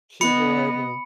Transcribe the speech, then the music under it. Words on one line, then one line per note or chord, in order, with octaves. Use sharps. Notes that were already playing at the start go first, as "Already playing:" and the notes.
keyboard and
B3 D#5 B5 C#7